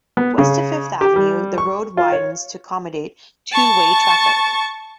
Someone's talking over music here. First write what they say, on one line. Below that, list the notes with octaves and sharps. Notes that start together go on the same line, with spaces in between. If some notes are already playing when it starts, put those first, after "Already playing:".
West of Fifth Avenue, the road widens to accommodate two-way traffic.
B3
C#3
G4
G3
C#6
F4
C#5
A5 C#6